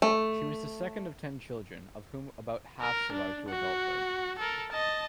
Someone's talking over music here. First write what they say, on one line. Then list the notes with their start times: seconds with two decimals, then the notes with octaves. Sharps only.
She was the second of ten children, of whom about half survived to adulthood.
0.02 A3
2.81 A#4
3.12 D4
3.49 F#4
4.39 A4 A#4
4.72 D#5 A5